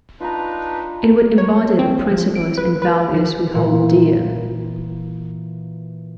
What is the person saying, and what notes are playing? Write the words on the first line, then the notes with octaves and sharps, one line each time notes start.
It would embody the principles and values we hold dear.
D4 D#4 F4 B4 A#5
C#5
C4
F3
D7
B4
B4
F3
A#2 E3